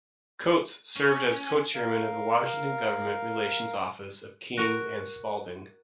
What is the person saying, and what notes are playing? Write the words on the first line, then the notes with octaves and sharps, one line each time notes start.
Coats served as co-chairman of the Washington government relations office of King and Spalding.
C#4
A#4 F5
F#4 A#4